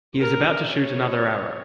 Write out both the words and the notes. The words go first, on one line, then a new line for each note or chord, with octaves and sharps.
He is about to shoot another arrow.
A#4
C#5